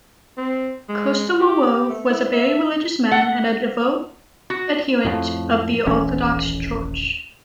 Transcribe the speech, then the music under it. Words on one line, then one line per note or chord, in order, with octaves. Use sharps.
Kostomarov was a very religious man and a devout adherent of the Orthodox Church.
C4
G#3
G4
A3
E4
E5
F#5
F#4
F2 A2
D#1 A1 E3 C#4